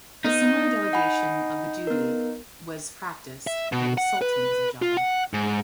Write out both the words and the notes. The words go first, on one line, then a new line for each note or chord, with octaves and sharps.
A similar delegation of the duty was practiced by the Sultans of Java.
B3 D#4
F#5 G#5 B5
B3 A#4
E5
B2
F#5
B4
F4
F#5
G#2